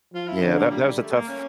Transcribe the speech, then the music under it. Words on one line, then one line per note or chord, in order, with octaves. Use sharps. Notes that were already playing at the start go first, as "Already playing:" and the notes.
Yeah, that that was a tough
F3 F4
E4
D3 C#4
A#3
G3
G3
A3
A#3
C#4